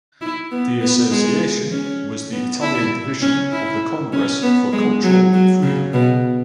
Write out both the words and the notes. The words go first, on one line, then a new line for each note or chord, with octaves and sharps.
The Association was the Italian division of the Congress for Cultural Freedom.
E4
B3
B3
G#3
C#4
B3
E4
C#4
E4
C#4
B3
G#3
F#3
F#3
C#3
B2